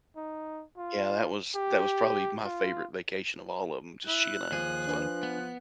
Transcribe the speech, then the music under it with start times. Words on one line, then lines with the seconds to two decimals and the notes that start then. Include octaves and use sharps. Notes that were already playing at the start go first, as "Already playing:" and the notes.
Yeah, that was that was probably my favorite vacation of all of ‘em. Just she and I, it's fun.
0.16 D#4
0.77 F4
1.55 G4
2.45 F4
4.07 E4 F#6
4.52 D#2 F3 G#4
4.88 D4 B4 G#5
5.23 B3